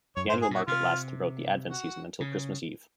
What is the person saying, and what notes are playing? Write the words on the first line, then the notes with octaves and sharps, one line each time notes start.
The annual market lasts throughout the Advent season until Christmas Eve.
F#2 C#5
C5
G#2
G#4
A#2 F#4
C3 F4
F#4
C#3